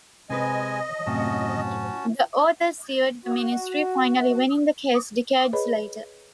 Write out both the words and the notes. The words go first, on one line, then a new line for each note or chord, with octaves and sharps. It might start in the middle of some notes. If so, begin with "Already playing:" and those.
The author sued the Ministry, finally winning the case decades later.
C3 G#3 C4 B4 D#5 G#5
F#2 A2 C3 C#4 F#4 A5
F#4
G#4 B4 C#5 D#5 B5